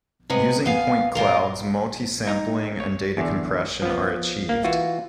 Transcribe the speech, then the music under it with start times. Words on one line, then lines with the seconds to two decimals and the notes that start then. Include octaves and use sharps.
Using point clouds multi-sampling and data compression are achieved.
0.30 C3 G#3 B3
0.66 B3 F5 G#5
1.15 A#2 F4 A#4
2.27 D#4 A#5
2.80 C#5
3.17 E2 D3
3.82 F3 B3
4.49 A#3
4.64 E3 F4 F#4